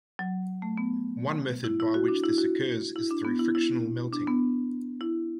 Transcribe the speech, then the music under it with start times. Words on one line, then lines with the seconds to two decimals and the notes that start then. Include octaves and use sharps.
One method by which this occurs is through frictional melting.
0.19 F#3
0.62 A3
0.78 B3
1.64 E4
1.80 E4
1.94 F#4
2.08 D4
2.24 E4
2.38 F#4
2.96 E4
3.11 D4
3.25 B3
3.39 E4
3.55 E4
4.13 D4
4.27 B3
5.01 E4